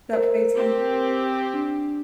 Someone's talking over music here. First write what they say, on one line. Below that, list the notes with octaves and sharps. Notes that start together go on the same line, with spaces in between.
that plays him?
A#4 C5
C4 G4
D4